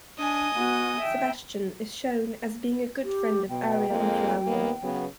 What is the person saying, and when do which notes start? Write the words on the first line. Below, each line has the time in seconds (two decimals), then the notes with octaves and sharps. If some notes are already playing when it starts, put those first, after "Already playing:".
Sebastian is shown as being a good friend of Ariel and Flounder.
0.19 D4 D#5 G#5
0.56 B3 F#4
1.01 E5 G5
3.04 G4
3.50 B2 G5
3.90 F2 G#3 A#3
4.47 D#2 A#3 B3
4.83 C#3 F#3 B3